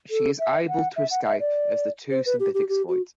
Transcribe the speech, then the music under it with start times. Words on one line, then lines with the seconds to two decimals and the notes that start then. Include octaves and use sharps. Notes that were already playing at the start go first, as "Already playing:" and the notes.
She is able to escape as the two synthetics fight.
0.10 A4
0.39 E5
0.68 F#5
0.96 E5
1.10 F#5
1.26 E5
1.40 D5
2.10 C5
2.25 B4
2.39 G4
2.54 G4
2.69 G4
2.88 F#4